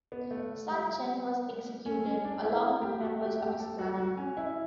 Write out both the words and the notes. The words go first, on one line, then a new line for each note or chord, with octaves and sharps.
Sun Chen was executed, along with members of his clan.
B3
A3
G3
C#4
C#4
D4
E4
G4
F#4
G4
G4
A4
F#4
F#4
C#4
E4